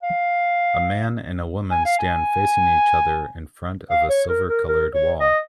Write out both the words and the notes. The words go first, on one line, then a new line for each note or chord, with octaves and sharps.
A man and a woman stand facing each other in front of a silvercolored wall.
F5
G#5
F5
G#5
F5
C#5
A#4
A#4
A#4
C#5
D#5